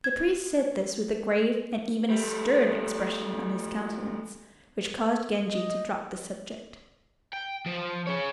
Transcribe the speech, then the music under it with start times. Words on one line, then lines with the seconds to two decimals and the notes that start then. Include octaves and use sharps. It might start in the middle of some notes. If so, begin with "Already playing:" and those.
The priest said this with a grave and even a stern expression on his countenance, which caused Genji to drop the subject.
0.04 G#6
2.10 G3 A3
5.50 D#5
7.33 G5
7.66 F3 C5
8.07 G#4 C#5